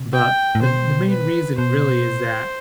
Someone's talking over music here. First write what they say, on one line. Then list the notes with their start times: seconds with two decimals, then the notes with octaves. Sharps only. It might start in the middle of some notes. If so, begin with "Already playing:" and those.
but the m the main reason, really, is that
Already playing: C3
0.13 G5
0.55 A2
0.61 B2 C5
1.10 B4
1.58 B2 C5